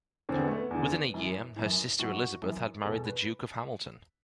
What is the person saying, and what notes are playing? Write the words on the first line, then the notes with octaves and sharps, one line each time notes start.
Within a year, her sister Elizabeth had married the Duke of Hamilton.
E2 D3 C4
B3
A3
B3
E2 D3
F#2 E3
F#2 E3
F#2 E3 F#4
F#2 E3
E2 B2 A4
B4